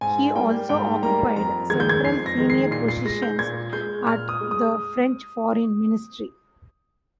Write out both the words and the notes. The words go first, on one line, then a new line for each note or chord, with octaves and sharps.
He also occupied several senior positions at the French foreign ministry.
G#2 G#5
G3 A#3 G5
G#2 G5
G3 A#3 A#5
F2 A#5
D#3 G#3 G#6
G6
G#6
F2 C7
A#6
D#3 G#3
C7
A#2 C7
C7
G#3 A#6
G6
A#2 G#6
G#3 G6
A#2 F6
D#6
G#3
D#6